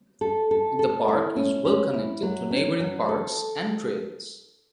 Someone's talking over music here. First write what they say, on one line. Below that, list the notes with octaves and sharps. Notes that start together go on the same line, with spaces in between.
The park is well connected to neighboring parks and trails.
A4
A4
A4
E4
C#4
C#4
E4
F#3
C#4
F#3
A4